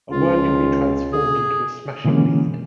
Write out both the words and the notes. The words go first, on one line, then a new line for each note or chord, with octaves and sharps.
A word can be transformed into a smashing lead.
C#2 F4
G#4
B2 D3 E3 G#3 A#3 C#4